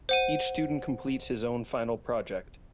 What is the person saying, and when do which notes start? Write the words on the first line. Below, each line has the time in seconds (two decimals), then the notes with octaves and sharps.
Each student completes his own final project.
0.09 C5 F#5 D#7